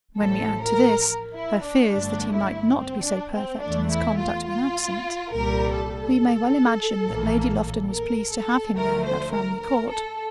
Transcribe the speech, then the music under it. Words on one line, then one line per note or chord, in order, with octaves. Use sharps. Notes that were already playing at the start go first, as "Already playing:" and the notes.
When we add, to this, her fears that he might not be so perfect in his conduct when absent, we may well imagine that Lady Lufton was pleased to have him there at Framley Court.
A1 A2 F3 A4
A#4
E4
D4
G1 G2 D3 A3 D4
E4
C4
D4
C4
E2 E3 A3 D4
E4
F4
F4
C2 A#2 G3 A#4
A4
A#1 A2 E3 A#3
A#4
A4
D2 D3 F3 A3 A#4
C5
A#4
A#4
A4